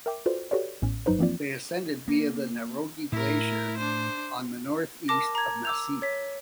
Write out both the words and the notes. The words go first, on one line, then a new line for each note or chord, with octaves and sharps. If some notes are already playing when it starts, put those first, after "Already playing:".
They ascended via the Niroghi glacier on the northeast of the massif.
A#4 E5 G5 D6
F4 F#4 A4 B4 C5 D5
F#4 G4 A4 B4 C#5 D5
A1 A2 B3 C#4
G1 G2 F#3 D#4 B4 C5
E3 F3 A#3 C4 F4 D5
A#3
A2 E4 A#4
D4 C5
A#4 A5 D6 A#6
A#5 G#6
D6 E6 F7
C#5 B6